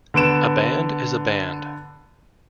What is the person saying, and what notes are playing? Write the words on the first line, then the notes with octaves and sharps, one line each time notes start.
A band is a band.
D3 B3 D7 E7